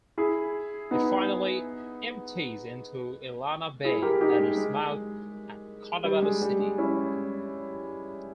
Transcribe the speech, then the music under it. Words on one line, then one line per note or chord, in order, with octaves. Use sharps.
It finally empties into Illana Bay at its mouth at Cotabato City.
E4 G#4
B3 D#4
E4 G#4
G4 A#4
D#4 G4
G#3
G#3
G3
G#3
G3
G#3
C#4 E4